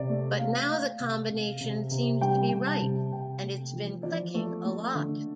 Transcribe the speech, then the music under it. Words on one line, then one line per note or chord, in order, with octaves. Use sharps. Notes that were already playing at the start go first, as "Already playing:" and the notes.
But now the combination seems to be right and it's been clicking a lot.
Already playing: C3 D5
A3
A3 F5
A3
C3
C3
C3
C3
G3 G5
C3
A5
C3
C3 G5
A3
F3
F3 D5
A3
A3
D3